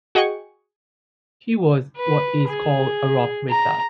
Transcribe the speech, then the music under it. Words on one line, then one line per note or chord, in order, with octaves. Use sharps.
He was what is called a rock lizard.
F#4 G#4 D#5 F#5 G5 C#6
B4
G#4
A#5